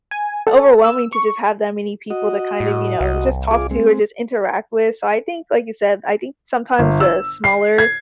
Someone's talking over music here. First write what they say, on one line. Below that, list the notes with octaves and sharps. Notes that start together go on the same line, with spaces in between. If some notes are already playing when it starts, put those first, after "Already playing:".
overwhelming to just have that many people to kind of, you know, just talk to or just interact with. So, I think like you said, I think sometimes a smaller,
G#5
A4
E6
C#6
F#4 D#5
A2
C2
F4 G#4 D6
G#3 C4
G1
E6
C7
G#6